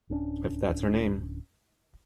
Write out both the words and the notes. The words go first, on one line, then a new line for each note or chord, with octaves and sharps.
If that's her name.
D1 C#4 D4